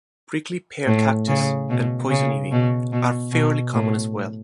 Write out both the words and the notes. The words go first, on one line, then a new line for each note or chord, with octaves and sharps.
Prickly pear cactus and poison ivy are fairly common as well.
A2
C#3
B2
C#3
B2
B2
B2
A2